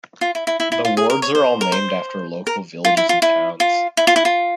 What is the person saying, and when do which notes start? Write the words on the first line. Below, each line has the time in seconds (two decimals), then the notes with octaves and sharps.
The wards are all named after local villages and towns.
0.21 F4
0.35 E4
0.47 E4
0.60 E4
0.72 E4
0.85 F4
0.97 G#4
1.10 A#4
1.22 C#5
1.35 C5
1.61 A#4
1.72 C5
2.47 A#4
2.85 F4
2.97 E4
3.09 F4
3.22 E4
3.60 F4
3.97 E4
4.07 F4
4.16 E4
4.25 F4